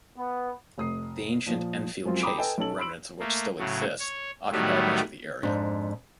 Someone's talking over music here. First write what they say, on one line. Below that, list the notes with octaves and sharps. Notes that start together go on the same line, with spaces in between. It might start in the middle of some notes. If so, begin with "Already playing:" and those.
The ancient Enfield Chase, remnants of which still exist, occupied much of the area.
B3
F1 D#6 C7
A#2 F3
F#2 F3 F#3 G#3 C4 F4
G5 A#5 B5 D6 D#6 D7
A4 B4 D#5 G5 G#5
B1 C#4 A4 F#7
B5 C6 E6 D7 F#7
A3 A#3
A2 C#3 F#3
C#5
A2 D#3 F#3 G3 A3 B3
F2 G#2 D4